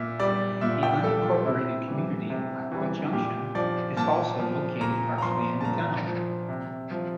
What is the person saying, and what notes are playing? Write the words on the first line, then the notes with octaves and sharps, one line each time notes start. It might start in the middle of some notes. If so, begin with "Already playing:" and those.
The unincorporated community of Blackwell Junction is also located partially in the town.
Already playing: A#2 E5
G3 D5
A#2 E5
G5
G3 A4
F4
C3 E4
E3 G3
C3
E3 G3
A#2 G4
F3 D5
A#2 A5
F3
A#2 A#5
A#5
F3 C6
A5
A#2 A#5
F3
C3
F3